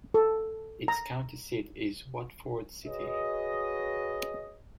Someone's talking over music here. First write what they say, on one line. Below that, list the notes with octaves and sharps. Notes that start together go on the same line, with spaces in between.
Its county seat is Watford City.
A4
A#5
F#4 G#4 B4 C#5 D#5